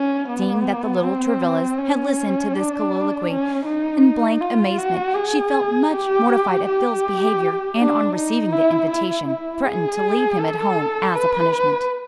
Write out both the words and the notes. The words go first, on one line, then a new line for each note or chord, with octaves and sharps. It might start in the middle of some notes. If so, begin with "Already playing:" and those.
Seeing that the little Travillas had listened to this colloquy in blank amazement, she felt much mortified at Phil's behavior, and on receiving the invitation threatened to leave him at home as a punishment.
Already playing: C#4
B3
C4
C#4
D4
C#4
D#4
F4
F#4
G#4
G4
G4
D4
D#4
E4
E4
E4
G#4
A4
B4